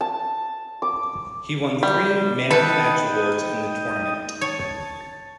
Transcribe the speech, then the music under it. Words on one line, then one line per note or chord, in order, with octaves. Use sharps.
He won three Man-of-the-Match awards in the tournament.
A5
D6
G3
D#4 A4 B4 G5 D#6
C#5 A5